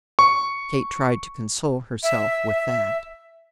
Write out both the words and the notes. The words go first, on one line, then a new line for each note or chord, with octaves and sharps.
Kate tried to console herself with that.
C#6
E5